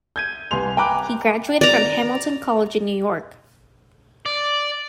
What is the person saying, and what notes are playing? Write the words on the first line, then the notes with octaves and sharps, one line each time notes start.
He graduated from Hamilton College in New York.
G6 G#6 D#7
C2 B4 G#5 C6 F7
G5 G#5 A#5 B5 D6 F#6
D5 A#5
D5